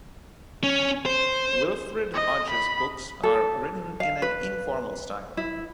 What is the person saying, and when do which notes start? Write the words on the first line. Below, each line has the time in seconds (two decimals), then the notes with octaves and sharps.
Wilfrid Hodges' books are written in an informal style.
0.63 C#4
1.06 C5
2.14 D#5
2.51 B5
3.23 A4
4.00 F5
4.22 B4
5.37 E4